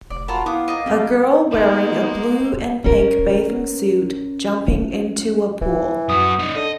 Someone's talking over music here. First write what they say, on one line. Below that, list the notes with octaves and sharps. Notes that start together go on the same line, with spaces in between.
A girl wearing a blue and pink bathing suit jumping into a pool.
F1 D5
F4 F#4 A#4 A5 B5
B3 E4 F5 D6 D#6
A#4 D5 D#5
G3 A#3 C4
G#3 A#3 B3 D#4
C#4 A#4
E3
F#2 F#4 D#6
C#4 D#4
D3 D#5